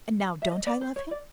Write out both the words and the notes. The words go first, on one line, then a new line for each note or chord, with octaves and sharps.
And now don't I love him?
E5
D#5
D5
C5
C#5
D5